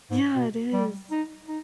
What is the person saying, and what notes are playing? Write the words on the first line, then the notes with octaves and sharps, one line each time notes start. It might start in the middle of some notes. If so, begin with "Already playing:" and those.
Yeah, it is.
G#2
B2
G3
D#4
D#4